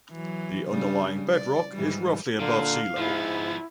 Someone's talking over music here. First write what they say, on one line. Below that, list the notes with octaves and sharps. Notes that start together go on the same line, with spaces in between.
The underlying bedrock is roughly above sea level.
E3 F#3
C#3 G3 D4
D5
G#2 E3 G3
A#2 D3 F5
G#2 F3 B3 E4